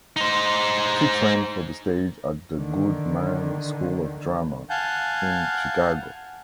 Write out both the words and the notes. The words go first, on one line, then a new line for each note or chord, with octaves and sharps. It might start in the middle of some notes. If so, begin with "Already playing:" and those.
She trained for the stage at the Goodman School of Drama, in Chicago.
D#4 C5
D3 D#3
F5 F#5 G#5 A5 G6